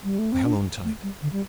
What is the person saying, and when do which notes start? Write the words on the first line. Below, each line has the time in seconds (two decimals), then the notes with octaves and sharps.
I hung on tight.
0.04 G3
0.19 A3
0.32 C4
0.46 D4
0.84 A3
1.03 G3
1.22 D3
1.32 G3